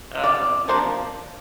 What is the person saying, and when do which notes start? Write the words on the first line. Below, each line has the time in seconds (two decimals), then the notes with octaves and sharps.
Oh, man.
0.24 D5
0.68 F3 A#3 D4 C5